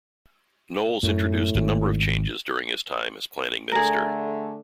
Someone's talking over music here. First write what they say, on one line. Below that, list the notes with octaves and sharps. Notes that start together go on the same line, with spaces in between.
Knowles introduced a number of changes during his time as Planning Minister.
F#2 A2
G#1
D3 A3 G#4 A#4